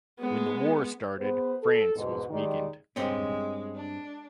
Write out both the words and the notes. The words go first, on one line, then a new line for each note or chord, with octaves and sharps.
When the war started, France was weakened.
G#3 B3
B3 G#4 B4 C5
A4
E2 G#2 B2
D#3 G3 G#3 D#4 D5
G2 G#3 C4 C#4
D4